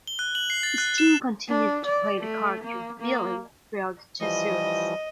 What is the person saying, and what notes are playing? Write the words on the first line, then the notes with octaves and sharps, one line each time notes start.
Steen continued to play the character of "Billy" throughout the two series.
G7
F#6
F#7
C7
A6
F#6
E7
D4
D5
A3
A#3
A#3
E3 F3 G3 D#5